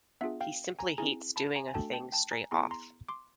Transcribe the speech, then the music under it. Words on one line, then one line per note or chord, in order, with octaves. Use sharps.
He simply hates doing a thing straight off.
B3 D4 F4 G#4 E5 F#5
F5 G5
G#5 A#5
C4 E4 G#4 G#5 A#5
A5 B5
G#5 A#5
G#5
A3 D4 F#4 A4 G5 A5
G5 A5
G5 A5
G#5 A#5
B3 E4 G#4 A#5 C6
A#5 C6
C6 D6